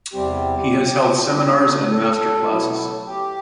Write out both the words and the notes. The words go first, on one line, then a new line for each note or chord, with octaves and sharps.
He has held seminars and master classes.
E2 C3 G3 C4 G4
D3 G3 D4
A4
B2 F#3 A3 E4
G4